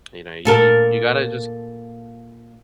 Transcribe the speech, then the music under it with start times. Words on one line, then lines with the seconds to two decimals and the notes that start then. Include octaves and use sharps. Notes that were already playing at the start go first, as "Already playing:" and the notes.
you know, you you gotta just
0.45 A#2 A4 A#4